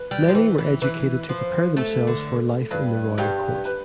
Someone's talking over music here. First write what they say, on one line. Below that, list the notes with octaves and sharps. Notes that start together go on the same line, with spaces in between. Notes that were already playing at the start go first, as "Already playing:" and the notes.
Many were educated to prepare themselves for life in the royal court.
Already playing: B4
G3
F3
E3
E3
E3 B4
F3
A3
D3
G2 B4
G2 G4
B4